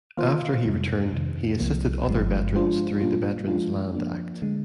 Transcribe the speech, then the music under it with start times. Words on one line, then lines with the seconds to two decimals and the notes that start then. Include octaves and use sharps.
After he returned, he assisted other veterans through the Veterans Land Act.
0.17 D#3 A#3 F4 C5 F5
0.65 F2 C3 G3
1.12 F2 C3 D#3
1.59 C2 C3 F3 A#3
2.07 G1 G2 F3 G#3
2.54 F3 G#3 D4 F4 C5
3.01 A#2 G3 A#3 D4 F4
3.48 F3 G#3 D4 F4
3.94 F3 A#3 D4
4.42 D3 G#3